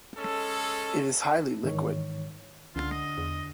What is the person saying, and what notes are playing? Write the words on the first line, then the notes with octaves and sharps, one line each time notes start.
It is highly liquid.
G#3 C#4 A4
G#2 D#3 E3 C#5
C#2 D3 F4
D#5
E2